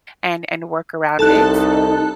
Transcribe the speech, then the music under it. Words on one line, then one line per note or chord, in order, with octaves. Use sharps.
and and work around it.
C2 D#4 A4 A5 F#6